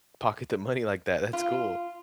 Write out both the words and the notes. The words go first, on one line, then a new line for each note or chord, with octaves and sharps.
Pocket the money like that, that's cool.
F4